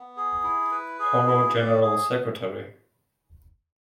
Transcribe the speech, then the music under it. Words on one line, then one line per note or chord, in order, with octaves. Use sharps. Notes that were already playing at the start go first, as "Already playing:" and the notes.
Horo general secretary.
Already playing: B3
G#4
E4
B4
G#4
E4
D5
G#4